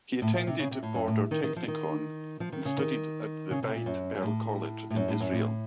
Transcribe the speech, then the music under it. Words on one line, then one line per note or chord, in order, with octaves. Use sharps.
He attended Border Technikon and studied at the Beit Berl College in Israel.
A2
A#2
C3
C#3
C3
A2
F#2
A2
D#3
D#3
F3
D#3
F3
D#3
C#3
D#3
C#3
C3
A#2
F#2
F#2
A2
A2
F#2
A2
F#2
A2